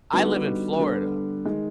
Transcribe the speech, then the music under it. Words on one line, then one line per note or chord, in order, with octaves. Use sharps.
I live in Florida.
D3 G3 B3 D#4 F#4
D3 G3 B3
D#3 G#3